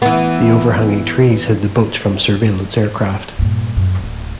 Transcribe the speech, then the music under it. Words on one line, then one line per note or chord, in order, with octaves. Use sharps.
The overhanging trees hid the boats from surveillance aircraft.
E3 B3
G2 A#2
F#2
D1 D2